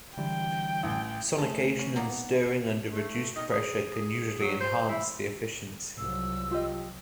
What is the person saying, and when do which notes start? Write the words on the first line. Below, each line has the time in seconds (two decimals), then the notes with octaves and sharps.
Sonication and stirring under reduced pressure can usually enhance the efficiency.
0.17 D3 E3 G3 G5
0.83 A1
1.38 A3 G#4 A4
1.79 C#4
1.96 F#3 A#3 D#4
2.10 B3
2.92 A3
3.36 D#4
3.52 G#4
3.95 G#4
4.41 F#3
4.60 C5
4.89 E4
5.98 C2 F3 F#3 E6
6.51 F4 G4 D#5